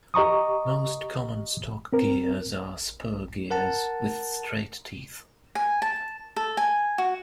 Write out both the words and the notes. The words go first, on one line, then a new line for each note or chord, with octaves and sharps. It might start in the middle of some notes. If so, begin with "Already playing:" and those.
Most common stock gears are spur gears, with straight teeth.
G4 D#5 A#5 C#6 D#6
C4 A#4
A#4 F#5 A5
G#5
A5
A4
G#5
F#4